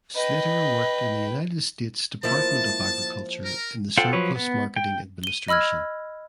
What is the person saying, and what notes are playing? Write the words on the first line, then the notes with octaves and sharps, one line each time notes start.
Slater worked in the United States Department of Agriculture in the Surplus Marketing Administration.
B4 D#5 G5
F3 A#3 E4 A5
A#4
F4 A4 C5 F#5 G5
F3 F#3 B4 C#5
B3
G5
D#7 G7
D#5 B5 E6 F6 G#6